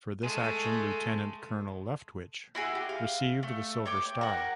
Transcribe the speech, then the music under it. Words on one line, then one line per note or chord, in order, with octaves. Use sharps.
For this action, Lieutenant Colonel Leftwich received the Silver Star.
G#3 A3
E4 F#4 G#4
G4
F5
A3
C#5 G5 D6
A#4 F#5